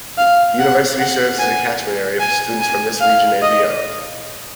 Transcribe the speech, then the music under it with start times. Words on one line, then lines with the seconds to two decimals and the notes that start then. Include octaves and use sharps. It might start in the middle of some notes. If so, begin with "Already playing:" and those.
The university serves as a catchment area for students from this region and beyond.
0.18 F5
0.59 F#5
1.00 F#5
1.39 G#5
2.20 G#5
2.61 G#5
3.01 F5
3.42 D#5